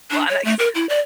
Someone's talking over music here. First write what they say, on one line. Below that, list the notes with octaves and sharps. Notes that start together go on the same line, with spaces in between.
Well and I guess
D4
C#5
A3
A#4
E4
D5